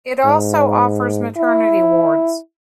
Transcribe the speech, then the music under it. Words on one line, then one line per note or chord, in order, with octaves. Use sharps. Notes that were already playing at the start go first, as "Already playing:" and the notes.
It also offers maternity wards.
G#2
E4